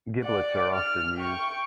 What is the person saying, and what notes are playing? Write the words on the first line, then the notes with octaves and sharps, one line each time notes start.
Giblets are often used.
D5 F#5
F6
G5 C#6